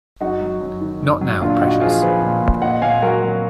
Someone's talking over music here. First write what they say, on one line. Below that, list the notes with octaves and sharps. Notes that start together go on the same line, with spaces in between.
Not now, precious.
F#2 D#4 F#4
F#3
F#2
D#3
F#2
F#3
A#2 D4 F4
A#2 D#4 F#4
F3 F4 G#4
F3 G#4 B4
A#2
A#2
A#2 D#5 F#5
A#2 F5 G#5
F#3 F#4 A#4
F#3